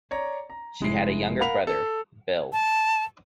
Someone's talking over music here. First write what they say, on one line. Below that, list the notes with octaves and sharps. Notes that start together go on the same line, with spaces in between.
She had a younger brother, Bill.
C#5 D5 A#5
A#5
F1 G#3 E4 C7
A#4 F5 F#5 B5 F7
A4
A5